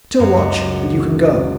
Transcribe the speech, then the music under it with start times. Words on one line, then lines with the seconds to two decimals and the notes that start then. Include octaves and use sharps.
Til watch, and you can go.'
0.19 F#2
0.37 C#2